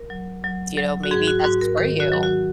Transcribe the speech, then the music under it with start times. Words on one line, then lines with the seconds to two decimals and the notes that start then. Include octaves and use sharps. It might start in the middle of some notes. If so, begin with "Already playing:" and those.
you know, maybe that's for you.
Already playing: A#4
0.10 F#3
0.44 F#3
0.77 F#3
1.04 F#4
1.11 G#2 G#4
1.27 F#4
1.44 G#2 F#4
1.61 A#4
1.77 D#3 A#4
2.00 F#4
2.12 F#3
2.23 F#4